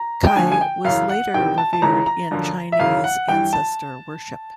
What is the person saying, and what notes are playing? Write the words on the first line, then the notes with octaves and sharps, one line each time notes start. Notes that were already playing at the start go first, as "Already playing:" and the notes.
Cai was later revered in Chinese ancestor worship.
Already playing: A#5
G5
D2 D3 F3 G#5
G#5
G5
F#2 C#3 E3 F5
F#5
E2 C3 D#3 G5
A5
A5
C#2 C#3 E3 A#5
A#5
F#2 D3 F3
E5
F#2 C#3 E3 F5
F#5
G2 E3 G5
A5